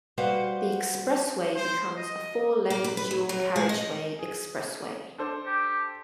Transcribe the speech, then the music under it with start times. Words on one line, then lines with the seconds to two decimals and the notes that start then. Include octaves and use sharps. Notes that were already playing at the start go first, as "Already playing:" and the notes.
The expressway becomes a four-lane dual-carriageway expressway.
0.18 G3 F#4 B4 C5 F5 F#5
1.54 C5
1.96 D#5
2.70 A#3
2.84 B4
2.97 B4
3.11 D2
3.29 F#3
3.56 G#3
3.69 D#5
4.19 G#4
5.18 D4 A4 C5
5.46 G4